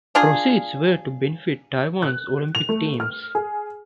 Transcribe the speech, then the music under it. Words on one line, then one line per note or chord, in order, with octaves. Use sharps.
Proceeds were to benefit Taiwan's Olympic teams.
D4 F4 G#4
F#6
F7
A3
F6
G#4